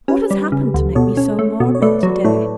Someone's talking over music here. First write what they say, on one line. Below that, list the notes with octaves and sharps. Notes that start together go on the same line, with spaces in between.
What has happened to make me so morbid to-day?
C#4 G4 B4
G3
C#3
D2
B2 A4 C#5
C#4
A3
B2
C#5
A3 B4 D5
F#3
A2 A4 C#5